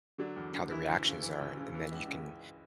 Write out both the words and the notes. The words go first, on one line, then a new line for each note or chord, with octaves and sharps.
how the reactions are. And then you can
D3 F#3 D4
E2
D3
E3 E4
D2
C#3
E3
D2
C#3
E3
C#2
C#3